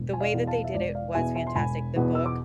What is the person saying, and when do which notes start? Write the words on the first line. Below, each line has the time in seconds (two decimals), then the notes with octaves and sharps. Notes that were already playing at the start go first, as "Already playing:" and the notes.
the way that they did it was fantastic. The book
Already playing: E1
0.13 G#5
0.21 D5 F5
0.34 E2 B2 B3
0.47 F5 A5
0.64 E5
0.74 E1 D5
0.95 D5 F5
1.15 E2 B2 B3 E5 G#5
1.35 E5 G#5
1.47 C6
1.55 E1 G#5 B5
1.96 E2 B2 B3
2.15 E6
2.26 D6